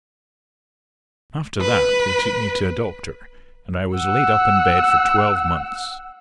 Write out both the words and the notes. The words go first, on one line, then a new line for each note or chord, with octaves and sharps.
After that they took me to a doctor, and I was laid up in bed for twelve months.
B4
F#5 E6